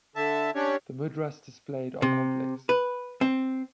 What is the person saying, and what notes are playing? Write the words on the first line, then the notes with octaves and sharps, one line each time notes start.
The mudras displayed are complex.
D3 E5 A5
C#4 D4 G4 C#5
C3
B4
C4